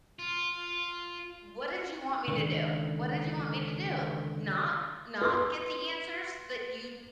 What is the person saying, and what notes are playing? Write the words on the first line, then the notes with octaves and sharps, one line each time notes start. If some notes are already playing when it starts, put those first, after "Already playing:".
d what did you want me to do? What did you want me to do? Not not get the answers that you'd
F4
C#2 D3 D#3
B4 C6